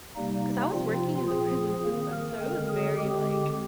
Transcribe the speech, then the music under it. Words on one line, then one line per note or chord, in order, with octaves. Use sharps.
'cause I was working in the prison system, so it was very, like,
C3 G3 A#3 D#4
C3 F3 C4 F4
A#2 F3 C4 G#4
D#3 A#3
A#4
D3 G#3 C4 A#4
G#4
D3 G#3 C4 G4